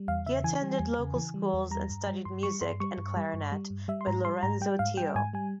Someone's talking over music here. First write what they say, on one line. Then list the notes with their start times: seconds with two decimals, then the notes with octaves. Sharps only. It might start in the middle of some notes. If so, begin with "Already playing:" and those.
He attended local schools and studied music and clarinet with Lorenzo Tio.
Already playing: G3
0.08 E2 F5
0.26 C#3 E5
0.44 E3 G#5
0.62 G3
0.80 E2
0.99 C#3
1.16 E3
1.34 G3
1.54 E2
1.71 G3 A#5
1.89 G2
2.07 G3
2.25 G2 C6
2.43 G3 C#6
2.61 G2 C6
2.80 G3 C#6
2.98 G2
3.17 G3
3.34 G2
3.52 G3
3.70 G2
3.88 G3 E5
4.01 C6
4.07 G#2 A#5
4.25 G3 C6
4.43 G#2 A#5
4.61 G3 G5
4.79 G#2 F5
4.97 G3 G5
5.15 G#2 G#5
5.33 G3 G#5